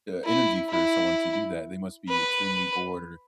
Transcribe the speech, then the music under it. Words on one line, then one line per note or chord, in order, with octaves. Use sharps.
uh, energy for someone to do that. They must be extremely bored or
E4
E4
B4